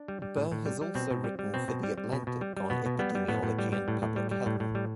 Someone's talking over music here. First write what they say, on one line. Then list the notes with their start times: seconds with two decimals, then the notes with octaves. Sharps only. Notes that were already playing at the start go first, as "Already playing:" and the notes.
Burr has also written for "The Atlantic" on epidemiology and public health.
Already playing: D4
0.08 G3
0.22 G3
0.37 A2
0.52 A2
0.66 G3
0.81 G3
0.95 B2 C4
1.11 B2
1.24 G3
1.39 G3
1.54 B2 C4
1.68 B2
1.83 G3
1.98 G3
2.13 B2
2.27 B2
2.41 G3
2.57 G3
2.70 B2 B3
2.86 B2
2.99 G3 B3
3.15 G3
3.28 A2 B3
3.43 A2
3.59 G3
3.72 G3
3.88 A2
4.02 A2
4.16 G3
4.31 G3
4.46 A2
4.60 A2
4.75 G3